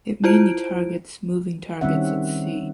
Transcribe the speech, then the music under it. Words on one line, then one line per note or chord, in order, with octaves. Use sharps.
It mainly targets moving targets at sea.
E4 F4 C5 D7
D#3 G3 C4 C#4 E5 F#5